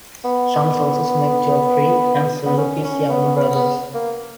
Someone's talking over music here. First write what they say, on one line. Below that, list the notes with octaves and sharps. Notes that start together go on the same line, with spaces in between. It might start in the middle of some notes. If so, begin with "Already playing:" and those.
Some sources make Geoffrey and Serlo his younger brothers.
B3
B3
C#4
C#4
B3
B3
B3
A#3